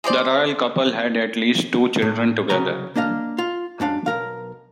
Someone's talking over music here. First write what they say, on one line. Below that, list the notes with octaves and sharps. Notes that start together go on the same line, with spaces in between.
The royal couple had at least two children together.
G#3 G4 C5 D5
A2
C2 C#3 F#3 G#5 A#5
A#3 D4 D#5 F5
F4
F#2 G#3 D4 F5
B1 A#4 F5